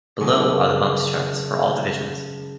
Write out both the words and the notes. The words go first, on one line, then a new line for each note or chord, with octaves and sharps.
Below are the bumps charts for all divisions.
F#1 C#3 C#4 A#4 G#5 D6